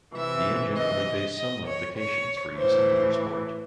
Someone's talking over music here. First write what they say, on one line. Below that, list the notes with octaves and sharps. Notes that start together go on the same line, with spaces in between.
The engine only faced some modifications for use in motorsport.
C3 E3 E5
D#5
D#5
C#5
C#5
A2 E3 C5